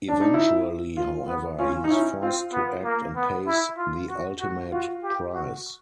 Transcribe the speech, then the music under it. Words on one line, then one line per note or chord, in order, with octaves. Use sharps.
Eventually, however, he is forced to act and pays the ultimate price.
D4
D#4
E4
F4
B3
C#4 F4
D#4
C#4 E4
C4 F4
B3
A#3
B3
E4
F4
F#4
F#4
F4 F#4
G4
F#4